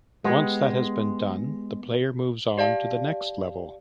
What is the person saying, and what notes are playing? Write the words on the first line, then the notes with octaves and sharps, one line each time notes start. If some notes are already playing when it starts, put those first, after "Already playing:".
Once that has been done the player moves on to the next level.
G#3 B3 G4 G#4
G4 D5 F5 A5